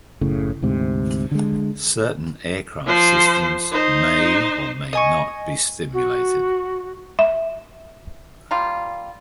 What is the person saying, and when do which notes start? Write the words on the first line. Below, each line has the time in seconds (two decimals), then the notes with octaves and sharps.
Certain aircraft systems may or may not be simulated.
0.21 F#1 A2 C#3
0.62 D2 G#2 C3
1.31 D3 G#3
2.86 F3 C5
3.72 D#4 C5
4.93 D#5 G#5 C#6
5.93 F#4
7.19 E5
8.51 G3 A#3 F4